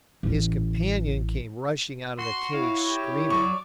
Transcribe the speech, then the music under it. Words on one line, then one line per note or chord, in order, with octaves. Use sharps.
His companion came rushing out of the cave screaming.
A1 C#4
F#4 C6
E4 C#5 F5
G4
F#3 D5 C#6